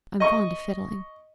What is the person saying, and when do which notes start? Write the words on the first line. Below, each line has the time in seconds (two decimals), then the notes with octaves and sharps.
I'm fond o' fiddling.
0.20 D#5 C#6